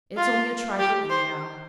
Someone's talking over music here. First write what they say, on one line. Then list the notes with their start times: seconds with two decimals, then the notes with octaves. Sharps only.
It's only a trifle, anyhow.
0.17 F4
0.79 G4
1.10 C5